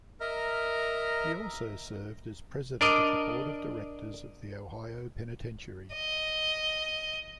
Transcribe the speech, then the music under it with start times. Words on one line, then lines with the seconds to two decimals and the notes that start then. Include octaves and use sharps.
He also served as president of the board of directors of the Ohio Penitentiary.
0.21 A#4 D#5 E5 A#5 F6
2.81 D4 A#4 D5 D#5
5.93 D#5